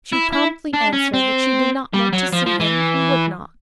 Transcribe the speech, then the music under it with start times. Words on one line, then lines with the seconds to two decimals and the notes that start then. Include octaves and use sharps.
She promptly answered that she did not want to see him and would not.
0.13 E4
0.33 E4
0.74 D4
0.93 C#4
1.14 C4
1.94 G3
2.13 F#3
2.33 F3
2.46 F3
2.60 E3